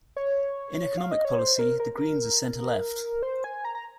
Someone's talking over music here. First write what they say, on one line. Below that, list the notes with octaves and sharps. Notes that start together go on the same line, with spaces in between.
In economic policy, the greens are center-left.
C#5
F5
D#5
C#5
C5
A#4
A#4
A#4
C5
G#5
A#5
A#5